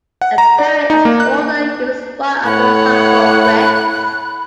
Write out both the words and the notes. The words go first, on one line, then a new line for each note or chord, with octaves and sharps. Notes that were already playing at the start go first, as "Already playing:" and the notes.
A poet and author, he was one of the Hartford Wits.
F#5
A#5
D5
D#4
A#3
F#6
A2 C#5 F#5 B5 F#6